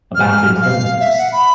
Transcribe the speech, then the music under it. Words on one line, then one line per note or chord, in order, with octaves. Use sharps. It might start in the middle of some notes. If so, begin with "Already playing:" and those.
a bathroom cleanliness?
F6
F5
E5
F#5
B5